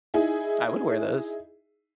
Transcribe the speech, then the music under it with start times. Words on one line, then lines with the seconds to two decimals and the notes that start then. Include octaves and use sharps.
I would wear those.
0.14 D#4 E4 G#4